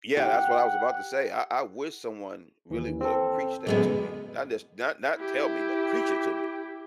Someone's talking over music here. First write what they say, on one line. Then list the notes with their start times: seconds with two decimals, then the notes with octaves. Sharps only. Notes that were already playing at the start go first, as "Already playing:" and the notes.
Yeah, that's what I was about to say, I I wish someone really would've preached that to me. Not just not not tell me, but preach it to me,
0.17 G4 F#5
2.70 D#2 E3
3.01 C4 A4
3.67 F#2 D3 G#3 B3
5.18 E4 G4